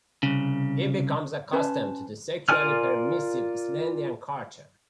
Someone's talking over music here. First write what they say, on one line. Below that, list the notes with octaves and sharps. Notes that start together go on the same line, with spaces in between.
He becomes accustomed to the sexually permissive Islandian culture.
C2 C#3
C#4 B4 C5 A5
F4 A#4 D5 G#5 F6